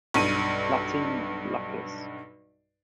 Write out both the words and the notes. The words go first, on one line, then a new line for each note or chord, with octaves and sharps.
Latin "lacus".
B1 G2 D#7